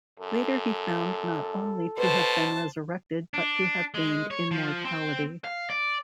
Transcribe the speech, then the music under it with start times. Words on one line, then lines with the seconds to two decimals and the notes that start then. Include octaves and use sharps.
Later he found not only to have been resurrected but to have gained immortality.
0.20 F#2 A4
1.98 B2 B4 C5 A5
3.34 D4
3.94 G#3
4.31 C#5
4.51 F3
4.84 C4
5.44 F5
5.70 D5